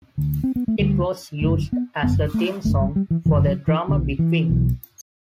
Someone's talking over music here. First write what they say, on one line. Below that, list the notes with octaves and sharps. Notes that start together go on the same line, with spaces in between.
It was used as the theme song for the drama "Big Wing".
D2 D3
C4
B3
A3
D2 D3 G3
G1 F#2 D3 A3
B3
G1 F#2 D3 B3
A3
G1 F#2 D3 A3
G3
G3
E3
G1 F#2 D3 E3
F#3
E3
B1 B2 D3
E3
B1 B2